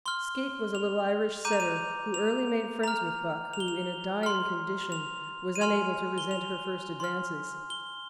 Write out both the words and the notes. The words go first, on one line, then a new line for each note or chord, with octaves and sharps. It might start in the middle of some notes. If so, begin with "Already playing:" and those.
Skeet was a little Irish setter who early made friends with Buck, who, in a dying condition, was unable to resent her first advances.
C6 F6 G7
F7
A#5 D6 G6 D#7
F7
D#7
F7
A#5 F6 F7
F7
G7
F7
C6 F6
F7
D#7
G#5 C6 F6 F7
G7
F7
C6 F6
G7